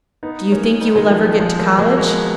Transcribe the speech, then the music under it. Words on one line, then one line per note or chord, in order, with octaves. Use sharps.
"Do you think you will ever get to college?"
B3 D#4
A#3 C#4
B3 D#4
D#3 F#3
F3
D#3 F#3
F3 G#3
F#3 A#3
F#3 A#3
G#3 B3